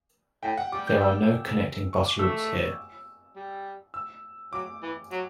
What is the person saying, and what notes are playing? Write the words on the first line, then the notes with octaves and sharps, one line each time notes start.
There are no connecting bus routes here.
A2 G5
F#5
G3 D6
G6
E6
C#6
D6
A3 E6
G3
E6
F#3 D6
E3
F#3